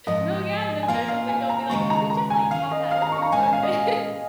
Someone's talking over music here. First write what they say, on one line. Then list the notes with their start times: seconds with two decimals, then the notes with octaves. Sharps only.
No, yeah, and, if there's a window, be like, "Can we just, like, pop that open for a bit?"
0.07 G#2 F3 A#3 F4 D#5
0.83 G#5
0.88 A#2 A#3 F4 F5
1.09 F5
1.29 G#5
1.49 A#5
1.69 D#2 C#3 G#3 F4 C#6
1.90 A#5
2.10 A#5
2.30 G#5
2.51 D#3 C#4 F4 F5
2.71 D#5
2.91 F5
3.02 A#5
3.12 C#6
3.22 A#5
3.32 A#2 G#3 C#4 G#5
3.43 G#5
3.53 F5
3.63 D#5